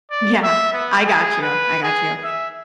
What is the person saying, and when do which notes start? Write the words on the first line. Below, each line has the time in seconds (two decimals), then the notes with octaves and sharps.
Yeah. I got you. I got you.
0.10 D5
0.43 E5
0.73 B3
1.06 G#4
1.42 B4
1.83 G#4
2.23 E5